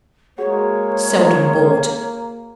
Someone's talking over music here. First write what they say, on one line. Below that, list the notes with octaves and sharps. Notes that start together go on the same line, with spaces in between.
Seldom bought.
G#3 A#3 F#4 G#4 C#5 F#5